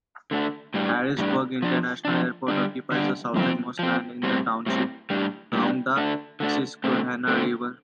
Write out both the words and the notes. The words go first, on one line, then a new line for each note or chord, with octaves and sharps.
Harrisburg International Airport occupies the southernmost land in the township, along the Susquehanna River.
D3 A3 D4
A2 G3 D4
A2 G3 D4
F3 D4
F3 D4
D3 G3 D4
D3 G3 D4
F3 C4
F3 C4
A2 G3 C4
A2 G3 C4
A2 G3 D4
A2 G3 D4
D3 A3 D4
D3 A3 D4
D3 A3 C4
D3 A3 C4